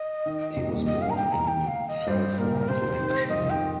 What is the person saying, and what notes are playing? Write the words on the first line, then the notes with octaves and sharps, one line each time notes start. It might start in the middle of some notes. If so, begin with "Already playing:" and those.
He was born in Salford, Lancashire.
Already playing: D#5
D#3
C3
A#2
G2
A#2
D#5
F5
A#5
G5
A#5
G5
F5
D#5
G2 C5
A#2 A#4
C3 C5
D#3
F2 D#5
F3
D#3 G5